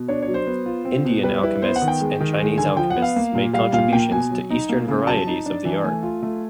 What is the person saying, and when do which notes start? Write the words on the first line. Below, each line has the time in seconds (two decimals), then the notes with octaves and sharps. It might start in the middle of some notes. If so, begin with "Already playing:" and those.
Indian alchemists and Chinese alchemists made contributions to Eastern varieties of the art.
Already playing: B2
0.08 D4 C#5
0.22 C#5
0.28 F#3
0.34 C5
0.47 B3
0.66 F4
0.85 C4
1.05 B2
1.23 G3 B4
1.43 E4 B4
1.62 B3 C5
1.76 F#5
1.82 D#3
1.88 G5
2.01 G#3
2.20 D#3
2.40 G#3
2.58 D3 G#5
2.77 F3 G5
2.90 F#5
2.97 B3
3.02 F5
3.16 A#3
3.35 A#2
3.53 G3 F5
3.73 A#2 F5
3.92 A#3 G5
4.11 B2 G#5
4.31 F#3
4.50 D#4
4.69 A#3
4.88 C#3
5.07 F#3 A5
5.27 D#4
5.46 D4
5.65 E3
5.84 A3 G#5
6.03 F4
6.23 A3